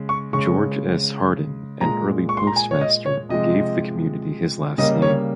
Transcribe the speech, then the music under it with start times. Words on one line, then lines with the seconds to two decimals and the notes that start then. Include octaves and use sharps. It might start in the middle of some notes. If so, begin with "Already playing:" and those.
George S. Harden, an early postmaster, gave the community his last name.
Already playing: C#3 G#3
0.09 C#6
0.33 C#3 G#3 C#6
1.81 A#2 G#3 A#5
2.29 C#6
2.37 C6
2.47 A#5
2.56 G#5
2.71 C#5
2.81 D#5
3.06 C#5
3.29 C3 F3 G#3 D#5
4.78 C#3 G3 A#3 D#5
5.02 C#5